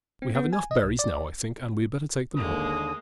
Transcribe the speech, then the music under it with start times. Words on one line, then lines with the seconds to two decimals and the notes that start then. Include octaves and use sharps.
We have enough berries now, I think, and we had better take them home.
0.22 C4
0.35 B3
0.53 G#5
0.71 D#5
0.83 B1
0.99 D5
2.36 D#2 D3 G#3 A#3 D#6